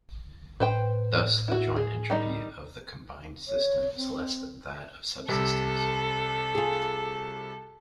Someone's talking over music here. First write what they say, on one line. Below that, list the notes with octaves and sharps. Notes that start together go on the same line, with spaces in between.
Thus the joint entropy of the combined system is less than that of subsystems.
A2 B4 C5 G5
E4 F#4
G#4
D#3 G3 D#4
C#5
C4
C2 C3 A4
F4 G#4